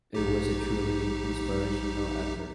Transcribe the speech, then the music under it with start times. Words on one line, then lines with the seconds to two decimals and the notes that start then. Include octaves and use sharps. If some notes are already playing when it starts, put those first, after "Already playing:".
It was a truly inspirational effort.
0.15 A#1 D#4 G4